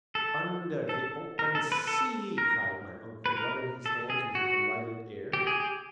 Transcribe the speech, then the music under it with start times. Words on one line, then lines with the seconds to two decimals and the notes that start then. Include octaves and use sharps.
"Under the open sea," cried my uncle, rubbing his hands with a delighted air.
0.15 A4
0.89 A4
1.39 A#4
1.55 A4
1.72 B4
1.87 A4
2.38 A#4
3.26 B4
3.37 A#4
3.86 A4
4.10 G#4
4.35 F#4
5.33 G4
5.47 G#4
5.60 G4